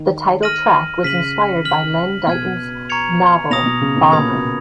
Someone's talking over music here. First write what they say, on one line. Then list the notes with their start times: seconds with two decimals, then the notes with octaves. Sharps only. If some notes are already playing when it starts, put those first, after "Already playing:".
The title track was inspired by Len Deighton's novel "Bomber".
Already playing: D#3
0.43 F6 A#6 D#7 F#7
1.03 C#3 F6 B6 D#7 F#7
1.65 F6 B6 F#7
2.27 B2 F6 G#6 D#7
2.89 A#5 C#6 G#6 C#7 F7
3.50 B2 D#6 A#6 F7
3.66 B2
3.81 C#3
3.96 B2
4.12 A#2 B5 D#6 G#6
4.34 B2